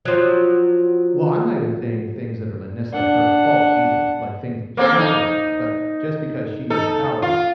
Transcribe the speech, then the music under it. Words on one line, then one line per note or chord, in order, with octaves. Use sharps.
Well, I'm not even saying things that are l nec like, her fault either, like, things that she chose to do, but just because she's in power,
F3 F#3
D4 F#5
A#3 C4 A4
D#4
D#4 A4
F4